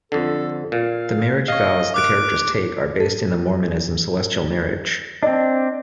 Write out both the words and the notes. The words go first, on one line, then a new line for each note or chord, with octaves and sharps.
The marriage vows the characters take are based in the Mormonism Celestial marriage.
F2 D3 A4
A#2 F5
C#5 D#5 F5
A#4 D6 F#6 D7
A4
C4 D4 D#5